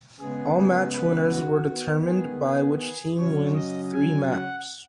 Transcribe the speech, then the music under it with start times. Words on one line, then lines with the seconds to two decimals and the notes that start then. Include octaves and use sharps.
All match winners were determined by which team wins three maps.
0.20 C#3 G#3 B3 G#4
0.57 G#4
0.94 B4
1.32 F#4
1.69 D#3 B3
2.06 G#4
2.43 G#4
2.81 G#4
3.18 C#3 F#3 C#4 C#5
3.55 D#5
3.93 G#5
4.29 F#5